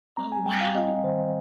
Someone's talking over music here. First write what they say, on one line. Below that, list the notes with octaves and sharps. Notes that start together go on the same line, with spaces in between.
Oh, wow.
C4 A#5
G#5
G3 G5
F5
C4 D#5
D#3 C5